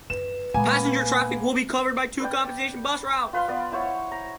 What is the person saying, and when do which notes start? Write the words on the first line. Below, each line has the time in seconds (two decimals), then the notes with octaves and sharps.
Passenger traffic will be covered by two compensation bus routes.
0.10 F#2 B4 E7
0.54 A#2 G#3 A#3 B3 G#5
2.20 B4 D5 G5
3.33 F4 B4 F5 C6
3.48 B3 D5
3.72 E4 C5 C#5 F#5
4.12 A#5